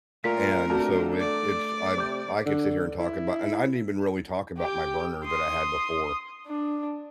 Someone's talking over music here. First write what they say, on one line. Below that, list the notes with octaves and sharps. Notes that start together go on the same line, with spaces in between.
and so, it it's I I could sit here and talk about and I didn't even really talk about my burner that I had before,
A#2 A3 F4 A#4 B6
D3 A3 C4 F#4 A5
D5
C3 C5 D6 G6
D3
E4
G4 G5
C6 D#6
D4